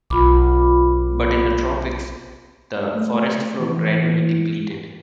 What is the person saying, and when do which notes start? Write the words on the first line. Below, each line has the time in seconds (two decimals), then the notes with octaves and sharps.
But in the tropics the forest floor gradually depleted.
0.10 B1 F4 B5 D6
2.95 A3
3.60 E3